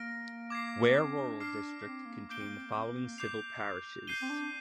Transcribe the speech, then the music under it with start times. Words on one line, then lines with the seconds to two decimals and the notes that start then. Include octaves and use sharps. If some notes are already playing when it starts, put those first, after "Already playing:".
Ware Rural District contained the following civil parishes.
Already playing: A#3 F6 A#6 D7
0.50 D6 G#6 C7
0.87 A#3
0.95 C4
1.18 D4
1.40 D6 F6 C7
1.84 C4
2.06 A#3
2.29 A#3 D6 G6 D7 G7
2.39 C4
2.47 A#3
2.57 C4
2.66 A#3
2.76 C4
2.84 A#3
2.94 C4
3.03 A#3
3.18 D6 G6 C7 F7
4.07 G6 C7 D#7 G7
4.22 C4
4.30 D4